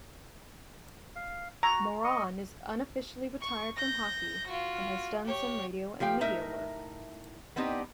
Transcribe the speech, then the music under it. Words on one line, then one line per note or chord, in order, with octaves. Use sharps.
Moran is unofficially retired from hockey, and has done some radio and media work.
F5
F#4 A#5
D#5 C#6
C#6
G6 A#6
F4 F#4
G4 C#5
F3 G4 F5 G5
A2 D#4 A#4 E5
B3 C4 D4 D#4 G4